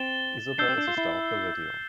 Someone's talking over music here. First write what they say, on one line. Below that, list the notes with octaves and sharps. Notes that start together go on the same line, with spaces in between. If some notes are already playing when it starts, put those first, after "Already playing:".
Isabel is the star of the video.
Already playing: C4 A6 E7 G7
D4 E6 G6 C7 G7
C4
D4
F4
E4